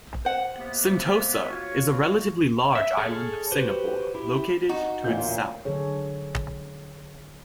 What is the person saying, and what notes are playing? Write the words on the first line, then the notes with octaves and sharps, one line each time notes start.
Sentosa is a relatively large island of Singapore located to its south.
C5 F#5
C3 A#3 B3
F4 F#4 C#5
E5
G#4 A4 C#5 F6
F#4 G4 B4 C5
E4 G4
D#4 F#4
A1 D2 A#2 G6
D3 F#3 G#4 A4 C#5